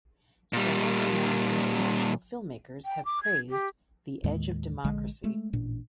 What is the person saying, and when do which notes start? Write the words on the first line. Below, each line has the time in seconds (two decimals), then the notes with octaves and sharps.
Several renowned international filmmakers have praised The Edge of Democracy.
0.53 A#2 G3
2.85 G5
3.05 D6
3.23 G#6
3.49 G4
4.24 D#2 A2 D#3 G#3
4.84 A#1 D3 G#3
5.24 G#3 A3
5.53 A1 A#2 D4